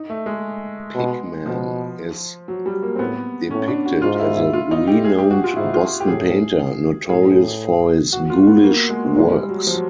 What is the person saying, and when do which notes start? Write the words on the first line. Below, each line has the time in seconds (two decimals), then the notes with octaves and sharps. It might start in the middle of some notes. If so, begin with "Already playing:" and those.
Pickman is depicted as a renowned Boston painter notorious for his ghoulish works.
Already playing: D#4
0.10 A3
0.26 G#3
0.95 B2
1.46 B2 F3
2.48 F#3
2.66 G3
2.83 A#3
2.96 C4
2.99 A2 B3
3.50 A2 C#4
3.68 D4
3.86 F#4
4.02 G#2 F4
4.19 E4
4.36 E4
4.53 F4
4.71 D#4
4.87 G4
5.05 G#4
5.18 G4
5.31 F#4
5.44 F4
5.56 G#2 E4
5.74 F4
6.00 G4
6.08 A2 G#4
7.09 A2 G#4
8.13 F#4
8.30 F4
8.47 B3
8.63 A#3
8.90 G#3
9.15 A#2 G#3
9.32 G3
9.49 F#3
9.67 F3
9.74 F#3